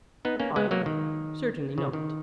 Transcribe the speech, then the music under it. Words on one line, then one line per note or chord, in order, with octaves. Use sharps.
ION: Certainly not.
B3 D#4
A#3 C#4
G#3 B3
F#3 A#3
D#3
C#3
D#3